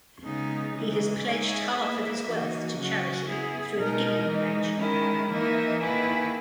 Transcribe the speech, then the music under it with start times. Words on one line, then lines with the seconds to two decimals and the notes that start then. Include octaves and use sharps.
He has pledged half of his wealth to charity through The Giving Pledge.
0.24 C#3 G#3 B3 D#4
0.75 C#3 E3 G#3
1.25 G#3 D#4 G#4 C#5 E5
1.76 A#3 E4 B4 E5
2.27 E3 A#3 D#4 F#4
2.77 C#3 F#3 C#4 F#4
3.27 B3 E4 G#4
3.78 B2 G#3 D#4 A#4
4.28 E3 G#3 D#4
4.79 D#3 G#3 C#4 E4 A#4
5.30 E3 A#3 D#4 A#4 E5
5.81 D#3 A#3 E4 G#4 B4